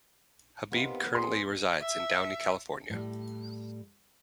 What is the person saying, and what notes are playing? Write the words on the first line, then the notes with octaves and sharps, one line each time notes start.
Habib currently resides in Downey, California.
C3 D#3 B3 F4
C3 G#4 C6
E5
A2 G3